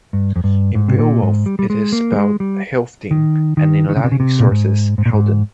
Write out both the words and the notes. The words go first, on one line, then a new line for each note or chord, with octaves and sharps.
In "Beowulf" it is spelled Healfdene, and in Latin sources Haldan.
G2
F2
G2
G#2
C3
A#2
G#2
G3
G3
G#3
A#3
G3
G#3
G3
D#3
D#3
D#3
C#3
C3
C#3
C3
A#2
G#2
G#2
A#2
G#2